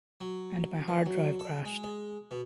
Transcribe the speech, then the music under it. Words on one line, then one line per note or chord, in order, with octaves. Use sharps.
And my hard drive crashed.
F#3
E3
F#3
A4
G#3
G#3
B2